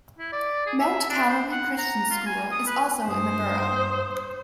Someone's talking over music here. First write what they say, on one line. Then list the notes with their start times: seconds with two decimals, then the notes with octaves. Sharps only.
Mount Calvary Christian School is also in the borough.
0.19 E4
0.33 D5
0.67 G#4
0.80 E5
1.10 D4
1.29 C5
1.51 F#5
1.78 A#5
2.10 F4
2.26 G#5
2.52 D#6
2.67 B4
3.08 G2 C5 D#6